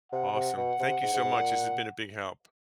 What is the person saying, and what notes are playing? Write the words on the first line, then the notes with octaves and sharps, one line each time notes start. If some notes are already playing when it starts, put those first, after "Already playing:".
Awesome. Thank you so much, this has been a big help.
C3 F#5
C3
B2 F#5
C3
G#2
G#2
G#2
A#2